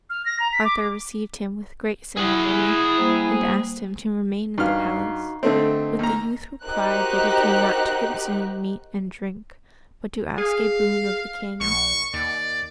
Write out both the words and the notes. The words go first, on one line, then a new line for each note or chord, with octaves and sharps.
Arthur received him with great ceremony, and asked him to remain at the palace; but the youth replied that he came not to consume meat and drink, but to ask a boon of the king.
F6
A#6
A#5
B6
D6
E4 G#4 F#5
G3 A#3 C5
G2 D#4 F#4 F5 F6
D3 A3 C4 D#5
D#2 A#5
D#4 F#4 G4 A#4 C5 F#6
G#4 F5
A#1 C#6
D#2 D5